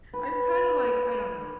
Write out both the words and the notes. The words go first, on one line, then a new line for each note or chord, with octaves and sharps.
I'm kinda, like, I don't know.
B4